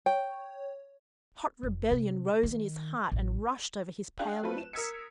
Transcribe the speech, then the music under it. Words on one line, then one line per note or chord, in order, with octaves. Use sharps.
Hot rebellion rose in his heart and rushed over his pale lips.
C#5 G5
F1
C3
D#3
A1
D4 G#4 F5 G5 F#6
F#3 A3 C4 F4 B4
E7
A#4 D#6 E6 G#6 B6 C#7